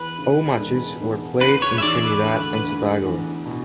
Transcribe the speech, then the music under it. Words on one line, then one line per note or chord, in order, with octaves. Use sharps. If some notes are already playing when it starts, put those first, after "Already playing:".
All matches were played in Trinidad and Tobago.
Already playing: E2 B4
C#3
E1
E1
C#3 B4
C#5
E5
E3 D5
B4
D2
D2
E2
B2